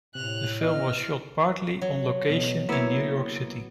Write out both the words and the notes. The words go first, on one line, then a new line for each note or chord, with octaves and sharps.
The film was shot partly on location in New York City.
A2 C3 F#6 F7
B3 E4 D#5 F6
F#3
B2
A#3 B3 E4 C#5 E5